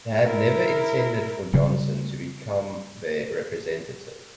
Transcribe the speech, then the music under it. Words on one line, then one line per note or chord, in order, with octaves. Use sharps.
They had never intended for Johnson to become their representative.
E4 A#4
C#3 G3